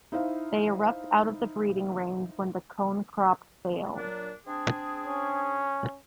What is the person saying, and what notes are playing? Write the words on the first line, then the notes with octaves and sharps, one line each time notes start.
They erupt out of the breeding range when the cone crop fails.
D#4 E4 C5 F5
A#2 F#3 D4
C4 D4 G#4
C#4